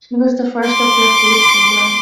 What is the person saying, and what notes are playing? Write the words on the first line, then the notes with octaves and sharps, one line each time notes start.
She was the first of their four children.
C6 D6